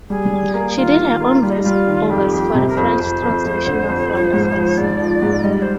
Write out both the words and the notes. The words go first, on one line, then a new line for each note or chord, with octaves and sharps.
She did her own voice-overs for the French translation of "Wonderfalls".
G3 G#4
G3
A#3
D#3 F4
D#3
A#3
G3 F4
D#4
G3 F4
D#3
F2 G4
F2
C3
A#4
F2 C5
F2
F2
F2
D3
F2
F3
G#2
F3
G#2 D5
F3
G#2
G3 D#5
D5
C5